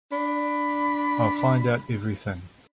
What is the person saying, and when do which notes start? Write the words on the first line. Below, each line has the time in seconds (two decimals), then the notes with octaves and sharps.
I'll find out everything.
0.12 D4 B5